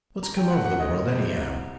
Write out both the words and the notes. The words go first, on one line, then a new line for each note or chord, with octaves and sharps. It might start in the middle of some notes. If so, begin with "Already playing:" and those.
What's come over the world anyhow?
G2 A#5
G5
F#3 A3 F#5
F#5
D2 D#5
C3 G3 C4
C2